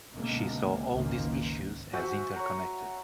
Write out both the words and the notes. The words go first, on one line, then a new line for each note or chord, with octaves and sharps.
She saw all these issues as interconnected.
C#2 B2 D3 G#3 A#3 B3
F#1 C#2 G#2 D#3 A#3
F#4 C5 E5 G#5
C#5 A#5